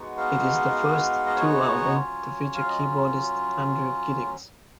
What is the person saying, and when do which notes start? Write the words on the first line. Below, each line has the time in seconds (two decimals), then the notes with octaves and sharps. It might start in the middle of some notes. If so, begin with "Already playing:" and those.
It is the first Tull album to feature keyboardist Andrew Giddings.
Already playing: G#3 B3 D#4 F#4
0.17 F5
1.27 D#5
1.36 C#5
1.95 F#3 C#4 F4
2.55 F5
2.69 D#5